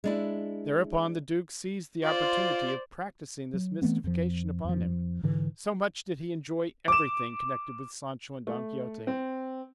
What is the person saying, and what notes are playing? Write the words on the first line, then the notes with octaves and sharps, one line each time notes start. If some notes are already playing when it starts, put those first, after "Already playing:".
Thereupon the duke seized the opportunity of practising this mystification upon him; so much did he enjoy everything connected with Sancho and Don Quixote.
G#3 D4 E4
F4 C5 D5
F#3
E3 A3 B3 C4
F2 F3
F2 F3
G#2 D3 E3
D6 E7
A3
C4